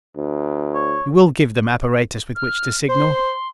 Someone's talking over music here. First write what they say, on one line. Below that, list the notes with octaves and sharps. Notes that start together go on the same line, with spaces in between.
"You will give them apparatus with which to signal?"
D2
C#5
F6
C5 C6